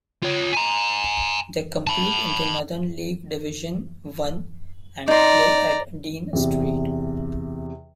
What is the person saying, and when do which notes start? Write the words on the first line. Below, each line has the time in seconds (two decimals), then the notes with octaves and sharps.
They compete in the Northern League Division One and play at Dean Street.
0.23 F4 C#5
0.53 G#5 A#5
1.87 A5 B5
5.08 D#4 D5 A#5 C6
6.33 E2 C3